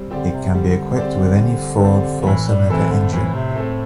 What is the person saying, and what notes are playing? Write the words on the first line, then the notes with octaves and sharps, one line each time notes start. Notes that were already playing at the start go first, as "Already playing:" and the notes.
It can be equipped with any Ford four-cylinder engine.
Already playing: G3 C4
D3 C4 G4 D5
C3
D3 G3
C4 G4 D5
G3
C4 G4 D5
D3
A2 E3
G3
E3 A3 C4 A4
D3
A2 E3
C3
A3 C4 A4